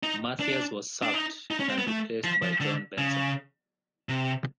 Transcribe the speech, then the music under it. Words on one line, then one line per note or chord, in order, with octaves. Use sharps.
Mathias was sacked, and replaced by John Benson.
D#4
D4
D4
D#4
D#4
C#4
C4
B3
A3
F3
F3
D3
C#3
C3